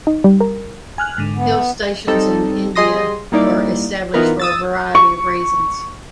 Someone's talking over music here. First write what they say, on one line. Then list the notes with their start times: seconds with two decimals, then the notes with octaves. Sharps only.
Hill stations in India were established for a variety of reasons.
0.07 D#4
0.24 G3
0.41 A#4
0.98 G#5 F6 F#6
1.18 G#2 D3
1.36 B3
2.07 G3 C4 D#4 A4
2.75 G3 G#4 D#5 C6 D#6 A#6
3.32 G3 A#3 D#4 E4 D5
4.14 E3 B3 D#4 F4 A#4 B4
4.40 D#6 E6 A6
4.95 C#6